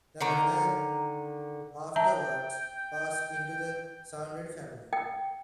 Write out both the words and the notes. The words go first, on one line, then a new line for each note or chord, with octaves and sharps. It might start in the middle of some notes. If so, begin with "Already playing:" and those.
The manor afterwards passed into the Saunders family.
D3 D#3 A#5
E5 G5 A5 A#5
G5